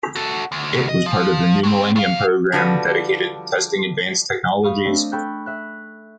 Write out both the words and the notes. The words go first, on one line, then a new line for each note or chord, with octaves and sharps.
It was part of the New Millennium Program, dedicated to testing advanced technologies.
F#4 A4
D2
D#5
F3
A2 C4
G2 F5
D3 F3 G3 F#4 B4
F5 B5 C#6 D#6 D#7
A3 C4 D4 D#5
A4 G5 B5 C#6 F#6 G6
E5 F#6